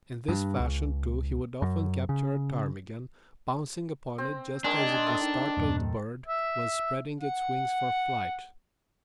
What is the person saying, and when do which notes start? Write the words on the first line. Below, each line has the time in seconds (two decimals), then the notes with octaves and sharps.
In this fashion, too, he would often capture a ptarmigan, pouncing upon it just as the startled bird was spreading its wings for flight.
0.29 G2
0.60 C#2
1.62 F#2
2.09 C#3
4.18 C4
4.64 D#3 G#3 D4 G#5
5.07 A4 E5 D#6
5.21 D#4
5.57 E2 G2 A#2
6.26 E5
7.20 F#5